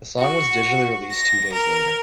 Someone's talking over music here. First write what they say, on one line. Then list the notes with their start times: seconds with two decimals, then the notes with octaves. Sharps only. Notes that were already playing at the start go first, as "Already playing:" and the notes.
The song was digitally released two days later.
0.18 F#4
1.10 A#6
1.51 A#4